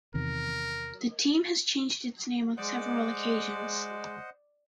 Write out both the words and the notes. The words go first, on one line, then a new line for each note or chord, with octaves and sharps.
The team has changed its name on several occasions.
E2 C3 D#3 A#4
G#3 C5 D5 D#5 F#5